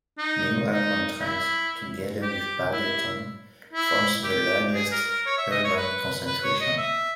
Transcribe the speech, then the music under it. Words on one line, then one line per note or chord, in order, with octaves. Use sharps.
Newark-on-Trent, together with Balderton, forms the largest urban concentration.
D#4
D#4
E4
G4
E4
E4
G4
G#4
A#4
A#4
C#5
E5
D#5
C#5
B4
B4
C#5
D#5
E5